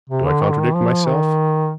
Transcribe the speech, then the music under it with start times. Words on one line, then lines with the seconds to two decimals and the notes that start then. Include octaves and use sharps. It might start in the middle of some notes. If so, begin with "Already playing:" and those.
Do I contradict myself?
0.10 C3
0.26 D3
0.42 D#3
0.52 D3
0.61 D#3
0.75 F3
1.07 D#3